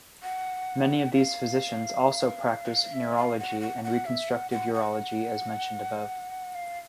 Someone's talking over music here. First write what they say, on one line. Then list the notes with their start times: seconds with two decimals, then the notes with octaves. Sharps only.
Many of these physicians also practice neurourology and reconstructive urology as mentioned above.
0.23 F#5
1.13 F5
2.93 E5
3.16 F5
3.39 F#5
3.61 F#5
3.84 F#5
4.06 E5
4.30 F#5
4.51 F#5
4.74 F#5
6.55 F5